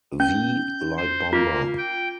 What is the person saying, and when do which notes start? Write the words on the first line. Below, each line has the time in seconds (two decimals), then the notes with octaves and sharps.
V light bomber.
0.20 C#4 G6
0.97 C5
1.33 A#3 F4
1.78 G5